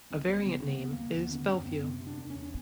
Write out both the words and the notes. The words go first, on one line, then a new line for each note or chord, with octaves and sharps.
A variant name is "Bell View".
C2 C4
C2 B3
C#3 C4
C#3 B3
D#2
A#3
D#2
D3 B3
D3 C#4
F#2 C4
F#2 B3
C3 C4
C3
D4
E2
E2 C#4